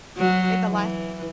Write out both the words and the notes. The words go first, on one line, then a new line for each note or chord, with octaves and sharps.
in the last
F#3
E3